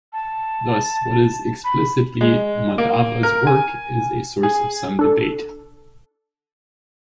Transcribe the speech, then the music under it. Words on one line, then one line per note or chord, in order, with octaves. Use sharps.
Thus, what is explicitly Madhava's work is a source of some debate.
A5
B5
G#3
A#3
A#4
G#5
G#4
D4 A4